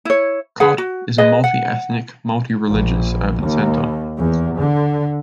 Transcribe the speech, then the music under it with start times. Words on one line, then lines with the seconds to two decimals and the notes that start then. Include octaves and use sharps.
Kotte is a multi-ethnic, multi-religious urban centre.
0.05 E4 C#5
0.60 G#4 B4 F#5
0.78 F#4
1.18 G#4 B4 D#5
1.44 F#5
2.71 A#1
3.42 D#2
4.18 E2
4.57 D3